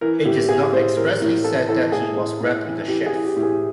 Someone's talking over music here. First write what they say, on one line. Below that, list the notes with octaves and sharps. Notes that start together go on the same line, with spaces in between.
It is not expressly said that he was wrapped in a sheaf.
E3 A#4
A2 G4
A2 G#4
A2 C5
E3 A#4
A2 A#4
E3 A4
E3 A4
A2 G#4
A2
A2
E3
E3 G4
G#4
E3
G4
A2
G#4